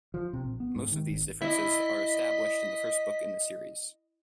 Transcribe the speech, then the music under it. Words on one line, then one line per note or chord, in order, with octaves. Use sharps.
Most of these differences are established in the first book in the series.
F3
C3
A#1
B3
G#2
D#3
G#1
E4 D#5 E5 B6